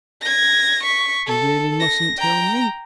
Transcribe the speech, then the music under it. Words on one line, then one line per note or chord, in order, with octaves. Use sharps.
"You really mustn't tell me?"
G#6 A#6
C#6 B6
A4
A#6
G5 A#5